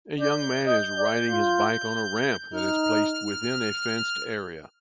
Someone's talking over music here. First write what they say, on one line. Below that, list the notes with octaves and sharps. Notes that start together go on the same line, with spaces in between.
A young man is riding his bike on a ramp that is placed within a fenced area.
D5 G6
D#5 G6
D5
F4
D#4 F6